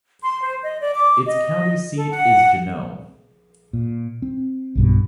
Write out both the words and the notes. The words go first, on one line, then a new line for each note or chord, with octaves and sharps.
Its county seat is Juneau.
C6
C5
D#5
D5
D6
D#5
A4
F#5
A#2
C4
B1 G2 B2